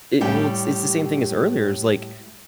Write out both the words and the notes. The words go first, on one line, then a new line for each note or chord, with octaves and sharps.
It well, it's it's the same thing as earlier, is like,
A2 G3 G4 G5